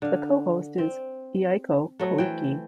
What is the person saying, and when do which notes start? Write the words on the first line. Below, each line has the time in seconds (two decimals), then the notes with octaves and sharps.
The co-host is Eiko Koike.
0.02 D3 F5
0.78 C4
1.99 F#3 A3
2.18 E3 C5 G5